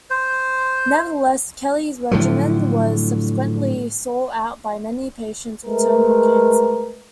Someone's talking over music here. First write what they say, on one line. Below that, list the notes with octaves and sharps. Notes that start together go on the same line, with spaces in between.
Nevertheless, Kelley's regimen was subsequently sought out by many patients with terminal cancer.
C5
A2 D3 F3 F#3
G#3 A3 A#4 B4